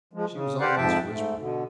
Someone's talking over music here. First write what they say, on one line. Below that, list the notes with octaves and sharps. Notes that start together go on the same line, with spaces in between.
She was almost whispering.
F3 G#3
C#3
G4 B4 C5 D5 F5 F#5
F2 G#2 F3 E5 G5 A5
G#2 A3
B2 D3